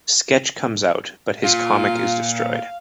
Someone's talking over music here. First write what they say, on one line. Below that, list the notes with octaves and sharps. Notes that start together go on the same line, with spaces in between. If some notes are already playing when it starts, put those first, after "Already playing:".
Sketch comes out, but his comic is destroyed.
A#2 F4
F5